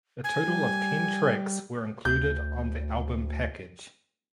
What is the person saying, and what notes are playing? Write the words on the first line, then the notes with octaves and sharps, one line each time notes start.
A total of ten tracks were included on the album package.
G#5
G3
D2 G6